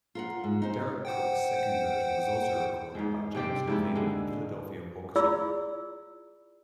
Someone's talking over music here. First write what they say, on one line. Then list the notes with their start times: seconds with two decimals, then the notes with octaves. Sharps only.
Deryck Cooke's second version was also recorded by James Levine and the Philadelphia Orchestra.
0.15 F4 A#4 F#5
0.44 G#2
0.62 D#4 C5
1.05 C5 F#5 G5
2.95 G#2 G#3
3.35 C3 C4 G4 D5
3.67 G#2 E4 G4
3.95 D3 G#3
5.16 E4 F4 G#4 D5 B5 E6